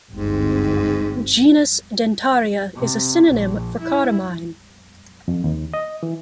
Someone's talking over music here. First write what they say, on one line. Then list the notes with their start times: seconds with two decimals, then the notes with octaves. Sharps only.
Genus Dentaria is a synonym for "Cardamine".
0.11 G1 D2 G#2 C4
2.76 C3
3.31 A#1
3.82 E4
5.28 F2
5.44 D#2
5.74 D#5
6.03 E3